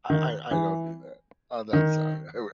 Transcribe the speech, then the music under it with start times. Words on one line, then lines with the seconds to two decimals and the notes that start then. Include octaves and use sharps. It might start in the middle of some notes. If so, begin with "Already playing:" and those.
I I I don't do that. Oh, no I'm sorry. I
0.10 D#3
0.51 E3
1.73 D#3